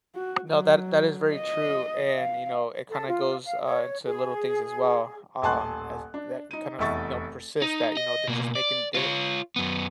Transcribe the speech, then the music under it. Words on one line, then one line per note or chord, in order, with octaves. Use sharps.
No, that that is very true, and, you know, it kinda goes uh, into little things as well um, as that kind of, you know, persist that, you know, they're just making they don't
F#4
F#3
D#5
F5
A4
F4
F5
C#5
G#4
D#1 A1 G#5 A5 C6 F#6
D4
D#4 D#7
F1 E2 D#5 E5 C#6 A6
D#4
D#5
B2 A#3
D5
F4 C#5
F#2 B3